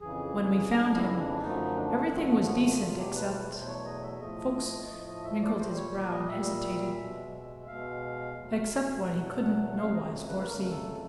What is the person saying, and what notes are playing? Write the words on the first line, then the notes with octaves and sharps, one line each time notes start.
When we found him, everything was decent except,"--Fuchs wrinkled his brow and hesitated,--"except what he could n't nowise foresee.
F2 C#3 E3 G#4
F2 C#3 E3 D4
E4
D4
F#2 D3 F3 A3 D#4
D4
F#2 D3 F3 A3 C4
B3
B3
E2 B2 F#3 A3 F4
G4
B4
C5
B4
E2 B2 F#3 A3 C5
C5
C#5
D#5
E5
A2 F3 A3 D#5
A2 F3 A3 D#5
D#5
E5
D5
A#2 G3 C5
C#5
D5
D#5
A#2 G3 E5
B2 G#3
B2 G#3 F5
E2 B2 F#3 A3
F5
E2 B2 F#3 A3 F#5
F#5
F2 C#3 F#3 A3 F5
D#5
B4
B4
F2 C#3 F#3 A3 A#4
A#4
A4
A4